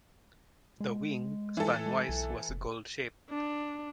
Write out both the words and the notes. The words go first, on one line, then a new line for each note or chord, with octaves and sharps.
The wing, spanwise, was "gull" shaped.
G#3
E3 A4
G#3
B1
F1
D4